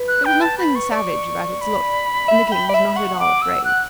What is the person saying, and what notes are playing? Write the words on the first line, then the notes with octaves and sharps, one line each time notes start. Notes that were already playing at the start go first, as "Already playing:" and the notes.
There was nothing savage about its look, and the King was not at all afraid.
Already playing: B4
F#6
G5
A5
B5
C#6
D5 C#6
B5
E5
G5
D5
E5
F#5 C#6
D6
E6
F#6